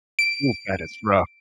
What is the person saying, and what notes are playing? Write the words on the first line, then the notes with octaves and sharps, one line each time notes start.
Ooh, that is rough.
D7